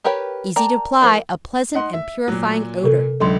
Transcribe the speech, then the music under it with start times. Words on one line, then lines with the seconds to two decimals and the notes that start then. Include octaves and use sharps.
Easy to apply, a pleasant and purifying odor.
0.04 G4 A#4 B4 C#5 G5
0.56 A#4 D5 G5 A5 A#5
1.01 F3 A#3 E4 C5
1.74 D#4 F#5 C6
1.93 E5
2.28 A#2 F#3
2.84 C3 A4
3.20 C#2 D3 F#3 A3 C6